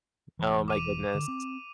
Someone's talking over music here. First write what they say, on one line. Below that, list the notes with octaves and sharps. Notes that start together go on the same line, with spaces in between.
Oh my goodness.
E1 E3
D6 D#7 F7
D3
C4